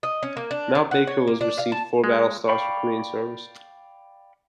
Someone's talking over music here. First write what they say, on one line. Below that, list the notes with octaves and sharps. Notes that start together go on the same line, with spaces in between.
"Mount Baker" received four battle stars for Korean service.
D#5
C#4
A#3
D4
D#3
F#5
C#5
A#3
D4
F5
A5
G#3
D5 F5 G5 B5 C#6